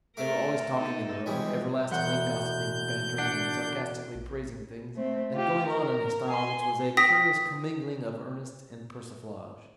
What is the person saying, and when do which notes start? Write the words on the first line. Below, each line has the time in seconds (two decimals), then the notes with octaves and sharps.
They were always talking in the Row, everlastingly gossiping, bantering and sarcastically praising things, and going on in a style which was a curious commingling of earnest and persiflage.
0.17 A3 A4 A#4 F5 D6
0.76 B3 D#4 A4
1.26 E3 F3 G3 G#3
1.91 E1 F#5 G6
3.18 D4 F#5
4.15 A#1
4.95 A3 C4
5.35 F4 G4
5.69 A#4
6.28 G#5 C6
6.97 G5 D#6 A#6 B6